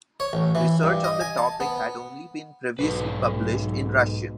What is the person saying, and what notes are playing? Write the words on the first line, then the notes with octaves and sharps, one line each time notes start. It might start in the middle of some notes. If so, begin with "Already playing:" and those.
Research on the topic had only been previously published in Russian.
C#5
A1
E3
G2
D#5
G#5
A5
B3
B1 G#2 D#3 B4